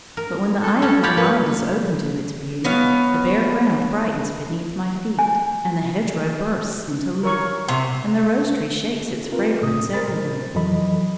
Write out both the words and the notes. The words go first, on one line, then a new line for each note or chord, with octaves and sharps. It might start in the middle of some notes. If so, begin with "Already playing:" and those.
But when the eye of my mind is opened to its beauty, the bare ground brightens beneath my feet, and the hedge-row bursts into leaf, and the rose-tree shakes its fragrance everywhere.
A#4
A4
G3 C#4 A4
G4 C#5 D5 B5
A#3 B4
B2 B3 C#5 F5
G#5
A#4 C#5 C#6
C3
C4 F4 A#4 B4
A2 C#3 A3 D#6
A#4 C5 B5 A6
F2 E3 F#3 A4 D#5 B5